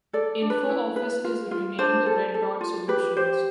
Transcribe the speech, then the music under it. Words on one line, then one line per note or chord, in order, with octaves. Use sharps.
InfoOffice is renamed RedDot Solutions.
A4 D5
D4
B4
E4
B4
F4
F4
D4 C5
A4
A4
F4
G4 B4
G4 C5